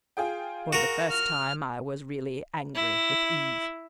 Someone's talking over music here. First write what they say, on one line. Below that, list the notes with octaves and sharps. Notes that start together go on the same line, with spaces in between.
For the first time I was really angry with Eve.
F4 G#4 G5
F#4 A#4
F6
E4